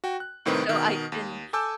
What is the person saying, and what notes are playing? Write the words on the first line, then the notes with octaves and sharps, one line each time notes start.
so I can
F#4 G5
F#6
C2 A2 D#3 C4 B4 D#6
B2 D#3
D#2
A4 G#5 A5 D6 E6 G6